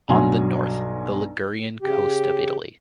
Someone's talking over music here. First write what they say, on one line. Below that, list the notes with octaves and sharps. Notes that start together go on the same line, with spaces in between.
"On the North" The Ligurian Coast of Italy.
B1 G2 F#3 G#5 C6
C#3 G4